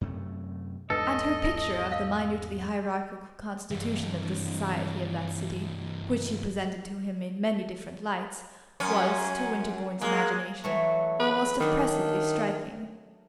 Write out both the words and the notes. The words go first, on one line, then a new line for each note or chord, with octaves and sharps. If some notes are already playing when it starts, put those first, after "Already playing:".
And her picture of the minutely hierarchical constitution of the society of that city, which she presented to him in many different lights, was, to Winterbourne's imagination, almost oppressively striking.
F#2 C3 A3
E2 G#2 D4 A4 B4 D#5
F5
G2 E3
F#2 C#4
G#3 A#3
E3 F#3 A3
B4
D#3 F#3 D4